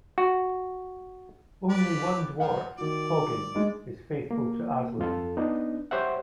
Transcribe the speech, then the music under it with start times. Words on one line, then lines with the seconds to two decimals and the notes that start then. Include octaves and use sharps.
Only one dwarf, Poggin, is faithful to Aslan.
0.18 F#4
1.70 G4 B4 D5
2.40 F3 F#5
2.78 D#3 F#4 D5
3.55 G#3 D#4
4.31 A#3
4.98 F2 F4 A4
5.37 B3 D4 D#4
5.91 G4 C5 C#5 E5 F#5